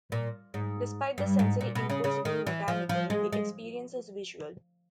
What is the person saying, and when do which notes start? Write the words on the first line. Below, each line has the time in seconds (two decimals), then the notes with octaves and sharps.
Despite the sensory input's being mechanical, the experience is visual.
0.12 A#2
0.54 G#2
1.18 G2
1.39 G#2
1.61 A#2
1.75 B2
1.90 C#3
2.04 C#3
2.25 D#3
2.47 E3
2.68 F3
2.89 F3
3.10 G#3
3.33 G#3